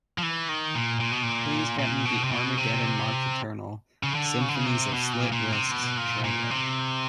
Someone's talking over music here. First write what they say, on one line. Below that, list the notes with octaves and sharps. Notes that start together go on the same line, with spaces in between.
Please get me the Armageddon March Eternal – Symphonies of Slit Wrists trailer.
F3
E3
D#3
A#2
A#2
B2
A#2
A#2
B2
C3
B2
C3
C#3
D3
C#3
D3
C#3
C3
B2
A#2
A#2
C3
B2
A#2
A#2
C3